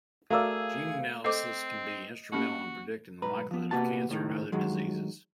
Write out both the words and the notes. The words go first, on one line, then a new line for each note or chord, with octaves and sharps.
Gene analysis can be instrumental in predicting the likelihood of cancer and other diseases.
A3 F#4 G#4 A#4 D5 F5 E6
C4 A4 C5 D#5 D6
A#3 C#4 F#4 G4
B1 G#2 B4 A#5
F3 B3
C3 E3 A#3 B3 F#4 A5
C#2 A2 D#3
G2 D#3 F#3 G#3